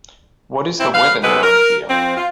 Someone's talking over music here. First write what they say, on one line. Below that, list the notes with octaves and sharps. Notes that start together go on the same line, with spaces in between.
What is the weather now and here?
B2 E3 C4 E4
B4 F5
C3 G#3 B3 D#4 A4 B4
A#4
F2 C4
F4